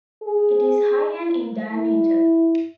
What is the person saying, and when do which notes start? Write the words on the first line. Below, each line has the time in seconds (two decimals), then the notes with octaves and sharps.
It is high and in diameter.
0.23 G#4
1.73 E4